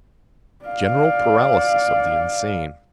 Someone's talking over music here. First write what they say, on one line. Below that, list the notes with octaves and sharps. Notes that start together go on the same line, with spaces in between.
General paralysis of the insane!
D5 F5